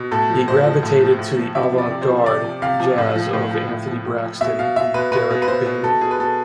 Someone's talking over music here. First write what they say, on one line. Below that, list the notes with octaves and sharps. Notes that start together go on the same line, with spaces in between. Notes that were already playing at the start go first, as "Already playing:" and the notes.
He gravitated to the avant-garde jazz of Anthony Braxton and Derek Bailey.
Already playing: B2
A2 A4
F3
A2 C5
F3
A2
F3
A2
F3
C3 E5
F3
D5
C3
C5
F3
C3 D5
F3
C3 F5
F3
A2
F3
A2
F3
A2
F3
A2
F3
B2 E5
B2 F5
B2 E5
B2 B4
B2 B4
B2
B4
B2 C5
B2
B2 A4
B2 G#4
B4
B2 A4